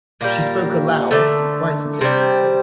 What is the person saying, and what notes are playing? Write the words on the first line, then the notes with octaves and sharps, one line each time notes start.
She spoke aloud and quite indifferently.
A#2 G3 A#3
D3 A3
C3 G3 C4